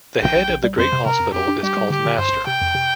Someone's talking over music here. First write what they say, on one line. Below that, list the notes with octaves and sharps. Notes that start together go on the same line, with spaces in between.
The Head of the Great Hospital is called 'Master'.
A#1 G5
A#1
A#1
G3
F2 C5
C3
C3 A#4
F2
F2 G4
D4
G3 G4
G3
D3 G4
D3
G2 C5
G1
C3 G5
F2
C3